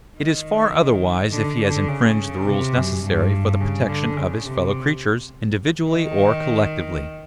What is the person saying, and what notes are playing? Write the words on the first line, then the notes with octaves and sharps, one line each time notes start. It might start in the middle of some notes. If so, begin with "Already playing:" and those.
It is far otherwise if he has infringed the rules necessary for the protection of his fellow-creatures, individually or collectively.
D#3
D3
D3
C#3
C3
F#2
G2
C#3
D3
C#3
C3
D#3